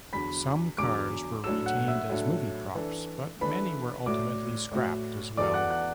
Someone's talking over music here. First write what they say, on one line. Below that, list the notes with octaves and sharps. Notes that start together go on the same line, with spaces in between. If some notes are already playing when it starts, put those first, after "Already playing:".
Some cars were retained as movie props, but many were ultimately scrapped as well.
E2 D3 F#3 B5 B6
E2 D3 F#3 D6 D7
A2 F#3 D4 A4 E6 E7
F#5 F#6
E5 E6
A2 F#3 D4 A4
E3 D4 A4
E3 D4 A4 B4 B5
A2 A3 F#4 D5 D6
A2 A3 F#4
E2 E3 B3 F#4 A4 D5 D6
F#5 F#6
F#5 F#6